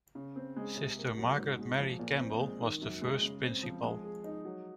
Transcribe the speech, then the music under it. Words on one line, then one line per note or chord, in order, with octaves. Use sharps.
Sister Margaret Mary Campbell was the first principal.
C#3
C4
G#3
C3
A#3
F#3
G#2
G#3
F3
A#2
C4
G#3
D#3
F#2
G#3
C#3
C4
F3
G#3
G#4
D#4
F#3